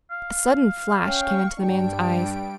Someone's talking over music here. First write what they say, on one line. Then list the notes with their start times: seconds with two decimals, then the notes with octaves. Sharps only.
A sudden flash came into the man's eyes.
0.11 F5
1.06 C#4 G5 C#6
1.59 G2 G3 D4 G5 D7